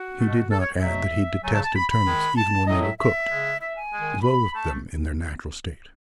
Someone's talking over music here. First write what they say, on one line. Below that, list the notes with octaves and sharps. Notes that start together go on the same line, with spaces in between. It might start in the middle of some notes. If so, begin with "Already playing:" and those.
He did not add that he detested turnips even when they were cooked--loathed them in their natural state.
Already playing: F#4
B2 A3
A4
C#5
B2 F#3 A3 E5
C#3 F#3 A3 G#5
A5
A5
B5
B5
D#3 G#3
A5
A2 F#3 A3 D#5
E5
E5
C#3 G#3
E5
G#5
D#3 G#3
B5
A3 A5